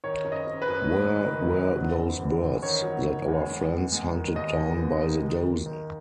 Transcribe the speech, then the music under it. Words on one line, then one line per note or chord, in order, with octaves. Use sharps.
Where were those birds that our friends hunted down by the dozen?
D#3 C#5
F#1
D#5
F#1
B4
F#2
A3
D#3
D#3
F#1
F#3
F#1
E2
E2
D#3 C#5
F#3
D#3
E2
G#3
B3
G#3
D#3
D#2 D#5
D#2
B3
D#3
D#2
D#2
D#3